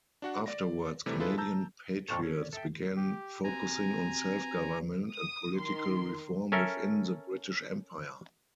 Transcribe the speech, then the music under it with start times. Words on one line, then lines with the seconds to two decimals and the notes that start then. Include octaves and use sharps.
Afterwards Canadian patriots began focusing on self-government and political reform within the British Empire.
0.22 D4 F#4 F#5
0.46 D5 A#6
1.06 C3 E3 G3 A3
1.19 D4 E4 F4 G#4 A4 B4
1.38 A5 A#5 E6 G6
2.09 F2 A#2 A4 C#6
2.23 C#4 A4
2.38 D5
2.53 A4 E5 G5
2.97 G4
3.44 C4 F#4 G4 G#5 A#5
5.12 D#6
5.57 D#3 A#4 C6
6.52 C#4 A4 A#4 E5